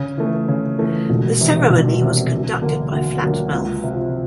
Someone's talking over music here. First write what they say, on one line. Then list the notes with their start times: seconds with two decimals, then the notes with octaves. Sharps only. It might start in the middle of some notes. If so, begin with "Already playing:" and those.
The ceremony was conducted by Flat Mouth.
Already playing: C#3
0.18 E3 A3
0.48 C#3
0.79 E3 A3
1.10 E1
1.40 E2 C3
1.70 E1
2.01 E2 C3
2.31 D2
2.62 D3 F#3 A#3 D4
2.92 D2
3.22 D3 F#3 A#3 D4
3.52 C#2
3.83 C3 F3